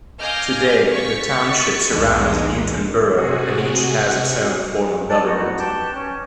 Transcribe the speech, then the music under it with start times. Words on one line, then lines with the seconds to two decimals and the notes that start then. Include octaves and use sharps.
Today, the Township surrounds Newtown Borough and each has its own form of government.
0.20 D#5 F5 G#5 D6 F6 G6
0.93 C#6 A6 B6
1.90 B1 E2 G#2 G#3 D4 D#4
3.16 C3 F#4 G#4
5.10 D5 A5
5.25 A3 B3 D#4 E4 F#4
5.58 G4 B4 G5 A5
5.94 C#4